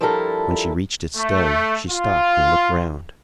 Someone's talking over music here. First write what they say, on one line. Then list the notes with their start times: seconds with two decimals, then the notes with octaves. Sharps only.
When she reached its stem, she stopped and looked round.
0.01 F3 G3 D4 E4 A4 A#4
1.16 A3
1.89 F4